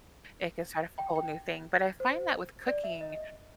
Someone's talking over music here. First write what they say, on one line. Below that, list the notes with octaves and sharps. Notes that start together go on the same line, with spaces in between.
it can start off a whole new thing, but I find that with cooking,
G5
G5
C5
D5
E5
D#5